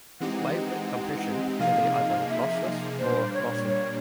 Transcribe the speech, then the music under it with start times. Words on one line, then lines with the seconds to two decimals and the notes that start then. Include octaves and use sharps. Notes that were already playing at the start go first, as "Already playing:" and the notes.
Wavelet compression can be either lossless or lossy.
0.20 E3 G#3 C4 D#4 G4 F#5
1.59 C3 F3 A#3 D#4 G#4 F5
2.29 E5
2.99 A#2 G3 A#3 D4 C5
3.34 C#5
3.69 C#5